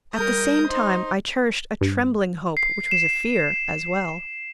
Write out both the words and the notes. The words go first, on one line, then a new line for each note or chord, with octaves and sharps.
At the same time I cherished a trembling hope which was a fear as well.
G3 A#4 D#6 G6
D#4 C5
G2
C7
E7